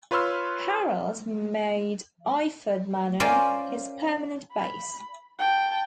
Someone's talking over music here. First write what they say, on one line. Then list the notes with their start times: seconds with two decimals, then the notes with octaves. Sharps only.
Harold made Iford Manor his permanent base.
0.11 F4 B4 C#5 C6 E6 F6
3.20 C#4 F4 A#4 C5 D5 G#5
4.52 B5
5.39 G5 A5